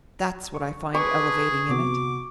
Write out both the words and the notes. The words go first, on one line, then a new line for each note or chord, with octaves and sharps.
That's what I find elevating in it.
C#6
G#4 B4 A5 C#6 D6
C3 B3 F#4 D6